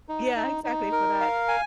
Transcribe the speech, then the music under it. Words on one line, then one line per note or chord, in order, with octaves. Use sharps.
Yeah, exactly for that.
D#4
D#4
D#4
A#4
F5
G#5